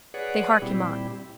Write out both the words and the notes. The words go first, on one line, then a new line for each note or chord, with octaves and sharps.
They hark him on.
G#4 B4 C#5 D5 F#5
A#2 G3 C4 E4 G4